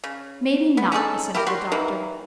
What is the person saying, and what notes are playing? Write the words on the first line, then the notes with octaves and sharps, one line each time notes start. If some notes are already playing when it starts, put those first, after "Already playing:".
"Maybe not," assented the doctor.
C#3
B3
C#4 D#4 G#4 A4
E4 F4 G4 A#4
G3 F#4 C6
D#3 E3 A#3